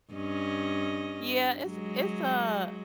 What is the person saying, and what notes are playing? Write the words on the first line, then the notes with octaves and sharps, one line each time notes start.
Yeah, it's it's a
G2 C#4 D#5
F#3 G#3